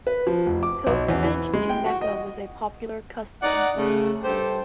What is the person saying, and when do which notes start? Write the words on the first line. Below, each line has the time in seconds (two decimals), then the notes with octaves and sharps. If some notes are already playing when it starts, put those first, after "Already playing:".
Pilgrimage to Mecca was a popular custom.
0.07 B4
0.27 F3
0.46 F1
0.63 D6
0.87 B1
1.08 E2
1.24 E3
1.53 G#3
1.69 G5
1.86 F#4
2.01 D#5
3.42 D#4 D5 F#5
3.76 C#3 A3
4.23 G2 G4 A4 C5